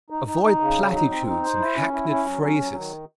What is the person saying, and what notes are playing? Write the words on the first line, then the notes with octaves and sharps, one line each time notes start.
Avoid platitudes and hackneyed phrases.
D#4
D#4
D#4
C#3
F#3
D#4
C4
D#4
C5
E4
C#4
E4
C#4
F#3
C#4
F#3
D#3